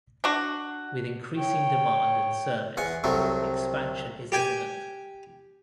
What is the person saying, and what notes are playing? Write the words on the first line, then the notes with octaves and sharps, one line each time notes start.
With increasing demand and service, expansion is imminent.
D4 F#4
C#5 G5
E2 F#5 G#5
C2 C3 F#3 A3
G4 G5 G#5